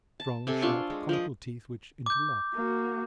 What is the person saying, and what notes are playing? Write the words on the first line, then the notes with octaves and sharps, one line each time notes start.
Strong sharp conical teeth which interlock.
A5
C3 A4 G#5
D4 F4 C6 C#6
G#3
F3 A#4 D#5
D6 G6
A#3 F#4